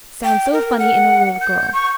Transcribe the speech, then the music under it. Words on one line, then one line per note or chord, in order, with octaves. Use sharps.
It sounds so funny in a little girl.
G5
A#4
F#5
G6
C#6